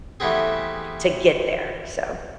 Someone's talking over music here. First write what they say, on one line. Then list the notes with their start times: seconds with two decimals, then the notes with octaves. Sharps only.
to get there, so
0.20 E3 G3 A3 B3 C4 G#4